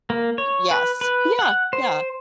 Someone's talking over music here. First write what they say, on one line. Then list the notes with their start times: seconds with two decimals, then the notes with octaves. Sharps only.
Y yes, yeah, yeah.
0.10 A#3
0.38 C#5
0.71 B4
1.01 B4
1.39 F#5
1.73 C5